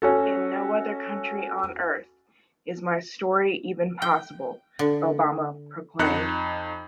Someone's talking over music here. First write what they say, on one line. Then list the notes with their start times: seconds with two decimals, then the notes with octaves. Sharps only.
"In no other country on Earth is my story even possible," Obama proclaimed.
0.02 C#4 F#4 A4
4.02 G5
4.79 D3
5.99 F2 D#4 F#6 C#7